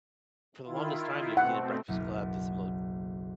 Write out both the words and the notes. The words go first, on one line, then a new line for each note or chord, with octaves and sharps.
for the longest time, you because he did Breakfast Club, did some of
D#3 E4 F4
B2 A3 C4 F#5
F#1 B1 A#3